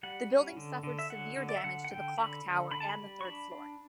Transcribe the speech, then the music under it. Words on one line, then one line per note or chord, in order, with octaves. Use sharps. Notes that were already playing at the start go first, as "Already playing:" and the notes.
The building suffered severe damage to the clock tower and the third floor.
G3 F#5
C#4
D3
D3
E5
F#3 F#5
D3
D5
E5
D3 F#5
F#5
D3 G5
D3 B5
D3
D3 B5
A5
B5
G3
C#6
D4 B5
D4